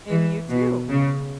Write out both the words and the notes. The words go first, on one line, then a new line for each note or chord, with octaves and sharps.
And, you too.
E3
B2
C#3